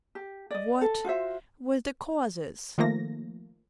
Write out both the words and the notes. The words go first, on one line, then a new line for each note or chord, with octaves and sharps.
"What... were the causes?"
G4
D5 D#5
A4
F4 F#4 C5 E5
D#3 F3 A3 A#3 A#6